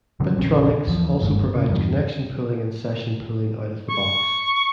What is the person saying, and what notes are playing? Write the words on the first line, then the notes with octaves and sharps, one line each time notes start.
Bitronix also provides connection pooling and session pooling out of the box.
B2 D3 F#3 C#4
A#1 E2 C4 C#4
D#2 E3 F3
G1 D#2 G#2
C#3
E2 G2
C#6